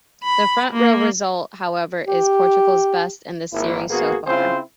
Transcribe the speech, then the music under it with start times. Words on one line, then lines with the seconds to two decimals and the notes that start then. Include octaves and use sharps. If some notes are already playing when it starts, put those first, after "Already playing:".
The front-row result, however, is Portugal's best in the series so far.
0.23 B5
0.72 A#3
2.07 G4
3.53 G#1 A#3 E4
3.90 G#1 A#3 B3 F#4 G#4
4.27 C#3 C4 C#4 E4 F4 C5